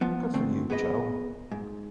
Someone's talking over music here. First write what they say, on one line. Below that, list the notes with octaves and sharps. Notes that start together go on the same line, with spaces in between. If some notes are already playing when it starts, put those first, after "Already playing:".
Good for you, Jo!
F3 B3
D3 A3 C4
B3 G#4 B4 C#5 D#5
G#2